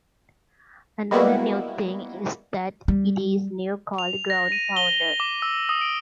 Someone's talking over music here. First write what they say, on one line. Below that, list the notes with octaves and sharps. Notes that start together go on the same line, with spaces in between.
Another new thing is that it is now called Ground Pounder.
G3 G#3 A#3 B3 E4 F#4
G3
F7
A#6
D#7
G7
D6
E6
D#6
D7